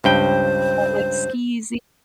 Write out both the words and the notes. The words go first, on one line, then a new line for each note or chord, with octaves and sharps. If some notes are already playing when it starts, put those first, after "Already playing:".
like, skeezy.
C#2 G2 C5 G5